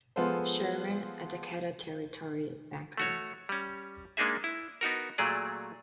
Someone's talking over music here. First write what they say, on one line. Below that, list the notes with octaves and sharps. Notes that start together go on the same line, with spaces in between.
Sherman, a Dakota Territory banker.
F3 G#3 B3 F4 A4 C5
A3 F#4 C#5
G3 C#4
G#3 A#3 D4 D#4 G#4 E5
E4
B3 D#4 F#4 A#4
A#2 F#3 A3 G#4 D5